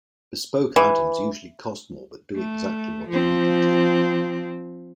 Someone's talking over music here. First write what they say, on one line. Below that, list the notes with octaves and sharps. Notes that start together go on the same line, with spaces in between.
Bespoke items usually cost more but do exactly what you need them to.
E3
A3
F3 C4